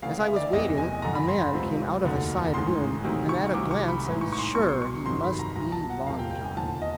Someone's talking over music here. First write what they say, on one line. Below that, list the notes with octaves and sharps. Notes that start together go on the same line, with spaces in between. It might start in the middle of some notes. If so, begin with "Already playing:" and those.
As I was waiting, a man came out of a side room, and at a glance I was sure he must be Long John.
D2 C#3 E3 F5
E5
D5
F#1 E2 C3 D#5
G#5
G1 F2 D3 A#5
B5
C6
B5
C#2 C3 F3
F1 D#2 D3 F#3
A1 G#2 D#3 C6
D2 C3 D#3 F#3
C#6
C2 C3 D#3 F#3 D6
C#6
B5
A1 G#2 E3
C#6
C#6
C6
C2 B2 F#3 C#6
C6
C#6
G1 F2 C3 D#3 F#3 C6
B5
A#5
C2 A#2 F#3 A#5
A5
F#5
E1 D2 C3 F3 F5
G5
G5
G#5
E1 D#2 D3 F3 A5
D#5